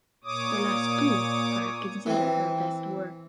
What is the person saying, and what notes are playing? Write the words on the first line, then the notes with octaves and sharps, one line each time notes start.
The last two are considered her best work.
A#2 C#5 D6 D#6
E3 C4